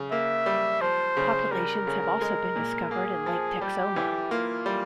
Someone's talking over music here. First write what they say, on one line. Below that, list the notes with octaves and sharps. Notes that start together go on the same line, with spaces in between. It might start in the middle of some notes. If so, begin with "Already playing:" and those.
Populations have also been discovered in Lake Texoma.
Already playing: C#3
A#3 E5
G3
F3 C5
C#3
G3 A#4
C#3
G#3
A#2
A#3 G#4
F3
G3 G4
E3
A#3 F4
G3